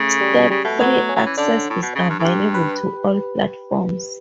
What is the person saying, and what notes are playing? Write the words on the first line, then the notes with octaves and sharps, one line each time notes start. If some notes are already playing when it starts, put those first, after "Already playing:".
Step-free access is available to all platforms.
Already playing: C#3 A3
G3
C#3 G3
B2 A3
F#3 B3
B3
C#4
F#3
E3
D3 D4
A2
B2
C#3
G2
A2
G2 G4
B4